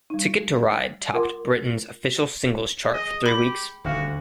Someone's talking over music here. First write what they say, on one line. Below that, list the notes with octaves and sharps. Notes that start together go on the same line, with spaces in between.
"Ticket to Ride" topped Britain's official singles chart for three weeks.
G3 D#4
F4 A#4 F#5 C6 D6
G#3 D#5
G4 B5
D#1 D2 F#4 F5 F6